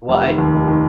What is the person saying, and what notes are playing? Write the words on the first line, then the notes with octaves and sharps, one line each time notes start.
well, I
F1
D#3
D#2
F1
D#3